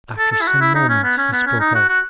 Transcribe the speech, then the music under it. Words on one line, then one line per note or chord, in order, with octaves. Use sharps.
After some moments he spoke out.
A4
A4
E4
F#4
E4
D#4
C#4
B3
C#4
B3
C#4
D#4
F#4
F#4